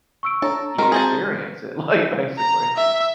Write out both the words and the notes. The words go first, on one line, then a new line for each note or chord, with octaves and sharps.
yeah, experience it, like, basically
C#6 E6 D7
D4 A4 C#5 A#5
D#3 G#3 C4 F#4 A#4 A#5 C6
G#4 C5 A5
A#5
E5